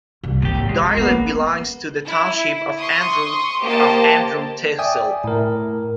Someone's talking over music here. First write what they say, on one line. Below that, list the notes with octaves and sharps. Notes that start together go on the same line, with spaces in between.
The island belongs to the township of Andrott of Andrott Tehsil.
C2
G#1 D#2 G4
F2 G#3
A#3 B3 C#4
E4
C6 C#6 D#6
A#3 G4 C5 D#5 A5
D5 E5 G5 G#5 D#6
A2 A#4